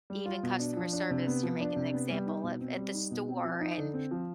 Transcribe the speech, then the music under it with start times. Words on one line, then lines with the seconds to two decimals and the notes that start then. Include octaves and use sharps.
even customer service, you're making an example of at the store, and
0.10 G3
0.25 F4
0.43 B2
0.60 D4
0.77 F3
0.93 D4
1.10 C3
1.27 B3
1.43 F3
1.60 D4
1.76 C3
1.93 B3
2.10 G3
2.26 D#4
2.43 B2
2.60 C4
2.77 G3
2.94 D#4
3.11 B2
3.28 C4
3.44 F3
3.61 D#4
3.77 D3
3.94 C4
4.11 F3